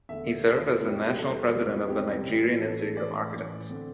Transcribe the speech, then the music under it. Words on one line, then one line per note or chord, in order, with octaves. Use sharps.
He served as the National President of the Nigerian Institute of Architects.
E2 D3 A3 E5
E2 D3 A3
E2 C3 G3 E4
G4
E4
G4
E2 C3 G3 A4
E2 C3 G3
E4
E2 C3 G3 G4
A1 A2 E3
A1 A2 E3 A4
A4
A1 A2 E3 D5
A1 A2 E3
D3 C4